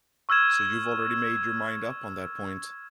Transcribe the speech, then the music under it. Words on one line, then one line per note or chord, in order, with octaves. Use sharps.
So you have already made your mind up on that point!
C#6 E6 F6 G#6 E7